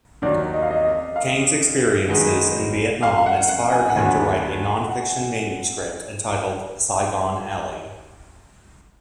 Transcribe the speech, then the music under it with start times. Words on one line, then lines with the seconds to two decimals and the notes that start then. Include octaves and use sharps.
Cain's experiences in Vietnam inspired him to write a non-fiction manuscript entitled "Saigon Alley".
0.22 D#2 D#3 F#3 D5
0.54 D#5
0.62 F5
0.70 D#5
0.84 D#5
1.16 F5
2.09 F#2 D#3 G#3 B3
3.03 F5
3.18 F5
3.26 F#5
3.49 F#5
3.72 G#5
3.90 F#5
3.96 D#2 D3 F#3 B3 G#5
4.90 F#5